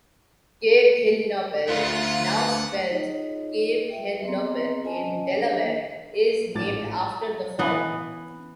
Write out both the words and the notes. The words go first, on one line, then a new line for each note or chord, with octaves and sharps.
Cape Hinlopen, now spelled Cape Henlopen in Delaware is named after the former.
D2 F4 F#5
D#4 F4 G#4 C#5 D#5
B4 E5 G5
B3 C4 G#4 D#5 A#5 C6
C#4 F4 C5 D#5 G#5 A5
A#3 D4 G4 A4 C#5 D#5
A1 G#2 F3 D6 A6
E3 B3